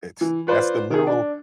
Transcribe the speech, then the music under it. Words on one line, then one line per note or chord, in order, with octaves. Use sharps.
It's that's the literal
E3
F4 B4 C5 D5
D#3 G#4
D4